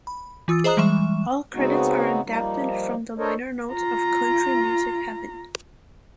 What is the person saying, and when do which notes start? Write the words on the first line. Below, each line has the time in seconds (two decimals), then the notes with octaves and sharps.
All credits are adapted from the liner notes of "Country Music Heaven".
0.07 B5
0.48 E3 F4 D#6 E6 A6
0.64 G#4 C5 D#5 A#5 D#6 F#6
0.77 E3 G3 G#3 E5 C#6 E7
1.54 C#3 G#3 B3 C4 D#4 F#4
2.25 F3 G3 A#3 D#4
3.18 D4 A4 A#4 C5 C#5 D#5
3.73 F4 A#5